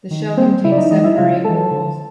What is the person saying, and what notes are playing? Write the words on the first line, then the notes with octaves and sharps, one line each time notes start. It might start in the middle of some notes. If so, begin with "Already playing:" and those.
The shell contains seven or eight whorls.
D#3
G3 A#3 C4 C5
C#3 E4 E5
D5
D#4 D#5
E3 G#3 D#4 D#5
E4 E5
C#3 F4 F5
E3 G#3 A4 A5
D3